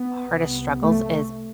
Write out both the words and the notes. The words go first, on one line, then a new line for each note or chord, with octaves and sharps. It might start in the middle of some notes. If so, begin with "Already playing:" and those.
hardest struggles is
Already playing: B3
C2 C3
A3